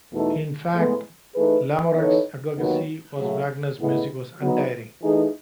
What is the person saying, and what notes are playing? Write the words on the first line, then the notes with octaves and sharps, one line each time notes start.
In fact Lamoureux's advocacy of Wagner's music was untiring.
E2 B2 A3 D#4 A4
A2 G#3 B3
E3 A3 D#4 G#4 B4
E3 B3 D#4 A4 C#5
D#2 D#3 F#3 B3
C#3 F#3 A3
A2 G#3 B3 E4
F#3 B3 D#4
E3 A3 D#4 G#4